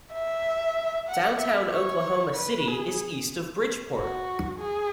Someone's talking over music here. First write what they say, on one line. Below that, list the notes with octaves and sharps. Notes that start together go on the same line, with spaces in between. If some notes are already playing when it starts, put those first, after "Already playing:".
Downtown Oklahoma City is east of Bridgeport.
E5
F#5
E5
C#5
B4
G#4
F#4
G#4